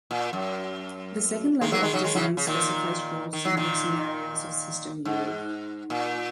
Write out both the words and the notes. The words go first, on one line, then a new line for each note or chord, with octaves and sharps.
The second level of design specifies role-centered scenarios of system use.
A#2
F#2
D#3 G#3
F#3 A#3
D#3 G#3
C#3 F#3
D#3 G#3
C#3 F#3
C#3
A#2 D#3
D#3
F#3
A#2 D#3
G#2
A#2